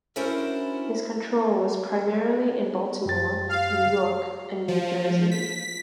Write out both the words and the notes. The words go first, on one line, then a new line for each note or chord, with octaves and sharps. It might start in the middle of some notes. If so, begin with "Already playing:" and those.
His control was primarily in Baltimore, New York, and New Jersey.
C#4 D4 E4 F#4 A#4 C5
F#2 G4 A6
F5
F3
B6